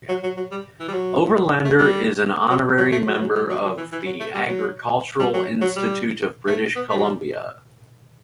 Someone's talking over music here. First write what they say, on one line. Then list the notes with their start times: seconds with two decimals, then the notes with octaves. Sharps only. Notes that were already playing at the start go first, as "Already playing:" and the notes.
Oberlander is an honorary member of the Architectural Institute of British Columbia.
0.09 F#3
0.23 F#3
0.37 F#3
0.51 G3
0.80 E3
0.88 G3
0.94 F#3
1.65 A3
1.79 G3
2.50 F#3
2.78 F#3
2.92 A3
3.06 F#3
3.15 E3
3.21 F#3
3.35 G3
3.49 F#3
3.64 F#3
3.77 E3
3.92 E3
4.06 F#3
4.20 A3
4.34 G3
4.48 F#3
5.19 G3
5.34 F#3
5.62 F#3
5.76 G3
6.47 A3
6.75 B3
6.89 A3
6.97 F#3
7.03 G3